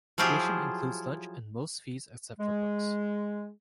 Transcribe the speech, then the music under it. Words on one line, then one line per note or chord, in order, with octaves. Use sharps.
Tuition includes lunch and most fees except for books.
F3 F#3 E4 F4 G4 G#4
G#3